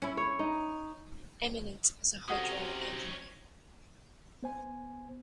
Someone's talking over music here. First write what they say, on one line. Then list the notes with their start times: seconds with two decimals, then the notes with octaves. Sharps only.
Eminent as a hydraulic engineer.
0.02 C#4 E4
0.17 C#5
0.39 D#4
2.28 C3 C#4 D#4 F#4 A4 F#5 D#6
4.43 B3 C5 G#5